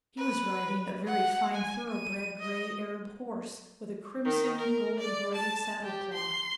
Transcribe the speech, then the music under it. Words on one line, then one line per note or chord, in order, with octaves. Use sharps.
He was riding a very fine thoroughbred gray Arab horse with a crimson gold-embroidered saddlecloth.
B4
F#5
G#5
D#7
D#5
D#3
A#4
D5
A5
G4
C6